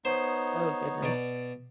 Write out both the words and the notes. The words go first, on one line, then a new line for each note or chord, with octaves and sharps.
Oh goodness.
B3 D#4 C5 C#5
B2 D5